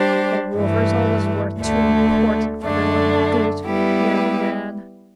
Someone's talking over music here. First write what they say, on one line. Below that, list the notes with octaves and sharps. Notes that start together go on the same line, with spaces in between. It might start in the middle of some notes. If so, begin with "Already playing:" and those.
"The Rovers always were too important for their own good, young man."
Already playing: G3 D4 G4 C5
G2 E3 A3
D2 D3 A3
F#2 D3 A3 D4
G3 B3 E4 G4 B4